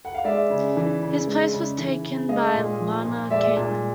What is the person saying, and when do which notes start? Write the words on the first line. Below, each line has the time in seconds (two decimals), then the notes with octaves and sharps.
His place was taken by Lana Kaelin.
0.05 F#5
0.15 F5
0.24 G#3 D5 E5
0.50 C#3
0.76 E3
1.01 C#3
1.27 G#3
1.53 C#3
1.78 E3
2.03 C#3
2.28 G#3 D#5 F5
2.54 A#2
2.80 F3
3.05 A#2
3.31 G#3 D5 E5
3.56 A#2